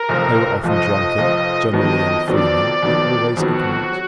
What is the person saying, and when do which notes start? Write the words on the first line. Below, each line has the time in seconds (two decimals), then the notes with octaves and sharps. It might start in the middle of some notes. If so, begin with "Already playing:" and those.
They were often drunken, generally unfeeling, and always ignorant.
Already playing: A#4
0.09 F1 F2 F3
0.63 F1 F2 F3 D#5
1.18 F1 F2 F3
1.73 F2 D#3 F#3 B3 D#5
2.28 F2 D#3 F#3 B3 D5
2.83 F2 D#3 F#3 B3
3.37 F2 D#3 F#3 B3 F#4
3.92 F#3